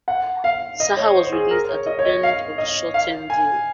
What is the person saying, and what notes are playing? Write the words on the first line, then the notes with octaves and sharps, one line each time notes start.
Saha was released at the end of the short-term deal.
F#5
F5
D#5
C#5
C5
G#4
A#4
C#5
D#5
C#5
D#5
F5
D#5
F5
G#5